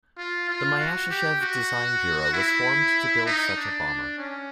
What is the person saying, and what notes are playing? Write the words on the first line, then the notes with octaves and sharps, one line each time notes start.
The Myasishchev design bureau was formed to build such a bomber.
F4
F4
F#4
G4
F#4
E4
D#4
D4
C#4